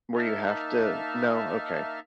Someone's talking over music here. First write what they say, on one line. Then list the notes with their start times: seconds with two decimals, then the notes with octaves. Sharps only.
Where you have to No? Okay.
0.16 A#3 D#4 E5 A5 F6